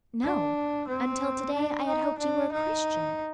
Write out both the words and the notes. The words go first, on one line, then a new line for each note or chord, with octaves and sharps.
"No, until to-day I had hoped you were a Christian."
D4
C4
D4
D#4
D4
D#4